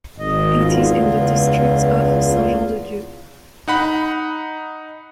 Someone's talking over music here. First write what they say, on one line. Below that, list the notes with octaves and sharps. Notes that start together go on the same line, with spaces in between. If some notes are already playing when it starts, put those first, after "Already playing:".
It is in the district of Saint-Jean-de-Dieu.
G#1 D#5
E2 F4
C#2
D#4 F#5 B5